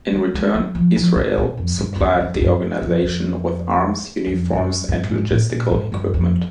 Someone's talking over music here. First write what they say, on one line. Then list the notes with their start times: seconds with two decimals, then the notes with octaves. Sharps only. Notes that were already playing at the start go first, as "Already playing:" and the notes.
In return Israel supplied the organization with arms, uniforms, and logistical equipment.
0.13 G#3
0.34 G#3
0.55 F#3
0.75 F3
0.96 F3
1.16 C3
1.38 B2
1.57 F2
1.79 G2
1.95 F2
2.00 E2
2.20 F2
2.35 F2
2.41 F#2
2.82 F2
3.03 F2
4.27 F2
4.53 G2
4.57 F#2
4.88 G2
5.09 G#2
5.30 A2
5.51 A#2
5.71 G#2
5.92 G2
6.14 F2